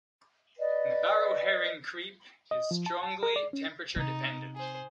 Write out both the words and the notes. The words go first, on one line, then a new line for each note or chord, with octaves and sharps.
Nabarro-Herring creep is strongly temperature dependent.
B4 D5 D#5
D#5
F3
A5
A5
A#4
D5
C#4
C3 D#4
G#4 C5